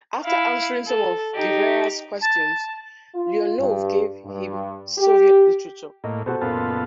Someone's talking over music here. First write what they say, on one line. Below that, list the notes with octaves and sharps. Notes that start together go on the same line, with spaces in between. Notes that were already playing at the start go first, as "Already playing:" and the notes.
After answering some of Guevara's questions, Leonov gave him Soviet literature.
E4 F5
A4
D#4 G4
A5
F4
G2
G2
G4
A2 A#3 D#5
B2 F#4 A4 C5
F#1 A#2 B3 F4 A4